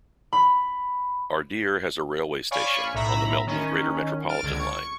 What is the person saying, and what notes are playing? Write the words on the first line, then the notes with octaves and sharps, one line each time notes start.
Ardeer has a railway station on the Melton greater-metropolitan line.
B5
C#5 D5 F5 G#5 B5 C#6
B1 A2 E5 A#5 B5
D#3 C#4
F6 A6 D7
C#2 D3 G#6
C#6